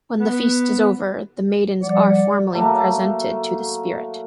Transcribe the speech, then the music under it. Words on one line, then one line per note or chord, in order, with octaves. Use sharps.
When the feast is over, the maidens are formally presented to the spirit.
B3
F3 G3 D5 F#5
F#3 A3 A#3